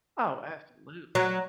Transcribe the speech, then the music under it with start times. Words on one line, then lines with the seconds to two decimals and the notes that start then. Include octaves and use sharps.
Oh, absolutely.
1.15 F#3 C#5 A#5